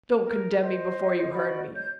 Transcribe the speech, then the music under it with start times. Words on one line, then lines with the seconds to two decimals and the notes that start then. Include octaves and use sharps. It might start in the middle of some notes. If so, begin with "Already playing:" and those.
Don't condemn me before you've heard me.
0.22 A#4
0.61 C5 D#5
1.33 F#4 D5 D#5 B5
1.75 C#5 G6